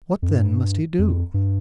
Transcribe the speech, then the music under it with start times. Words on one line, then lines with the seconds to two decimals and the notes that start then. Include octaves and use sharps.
What then must he do?
0.22 F2
0.29 G2
0.99 F2
1.34 G2